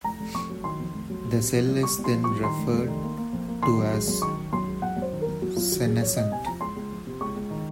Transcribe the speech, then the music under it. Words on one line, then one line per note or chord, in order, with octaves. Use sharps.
The cell is then referred to as senescent.
F1 A#5
F1
F2 C#6
F#3
D#3 C6
F2
F1
F#3
C3
C3
F3
C2
C2 C#6
C2
C6
F3
C2 C#6
D#3 C6
F1
F1
D#3
A#3
A#3
F2
A#3
D#3 C6
F#2
G#3
F#2
D#3 C#6
D#3
F#2 C6
G#3
F#2 F#5
F#2
C5
D#3
A#4
F#2
F#2 F#4
F#2 F4
D#3 F#4
F#2 G#4
F3 C#5
C3 D#5
C3 G#5
F3 A#5
C#2 C6
C#2
F3
C3
C#2 C#6
C#2
D#3